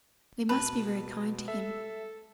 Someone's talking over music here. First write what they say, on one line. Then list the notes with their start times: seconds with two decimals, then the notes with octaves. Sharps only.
We must be very kind to him.'
0.49 B2 B4 A5
1.48 A4 E5